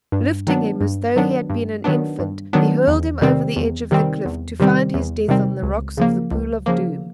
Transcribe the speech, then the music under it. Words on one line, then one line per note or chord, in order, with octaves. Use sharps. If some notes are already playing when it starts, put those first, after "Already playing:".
Lifting him as though he had been an infant, he hurled him over the edge of the cliff to find his death on the rocks of the Pool of Doom.
G2
D#3 F#3 B3 D4
G2
D#3 F#3 B3 D4
G2
D#3 F#3 B3 D4
G2
D#3 F#3 B3 D4
E2
C3 D#3 G3 C4
E2
C3 D#3 G3 C4
E2
C3 D#3 G3 C4
E2
C3 D#3 G3 C4
C#2
C#3 F3 A#3
C#2
C#3 F3 A#3